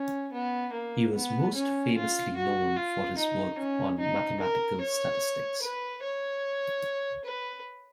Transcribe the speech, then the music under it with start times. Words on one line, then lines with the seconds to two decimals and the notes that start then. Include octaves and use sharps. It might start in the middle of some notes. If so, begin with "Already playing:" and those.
He was most famously known for his work on mathematical statistics.
Already playing: C#4
0.33 B3
0.73 A#3
1.14 B3
1.55 C#4
1.96 F4
2.36 F#4
2.76 F4
3.18 D#4
3.58 C#4
3.99 D#4
4.40 A#4
4.81 C#5
5.62 B4
6.03 C#5
7.25 B4